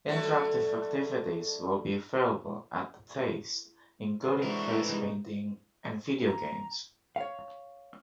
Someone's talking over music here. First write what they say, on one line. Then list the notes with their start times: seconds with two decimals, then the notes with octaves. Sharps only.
Interactive activities will be available at The Taste, including face-painting and video games.
0.09 D3 F#3 A3
4.22 B3 C5 D5
4.42 E3 G#3 D4 F#4 A#4
4.89 C3 G#3 D#4
6.27 A#5
7.16 C#5 F5